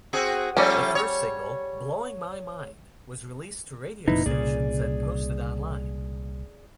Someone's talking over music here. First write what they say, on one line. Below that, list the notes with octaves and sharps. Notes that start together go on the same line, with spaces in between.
The first single, "Blowing My Mind", was released to radio stations and posted online.
C4 F#4 G#4
F3 G3 A3 C#4
C#5
F1 F2 A#2 D#4 E4 B4
C2 A#2 C#3 G#4 D5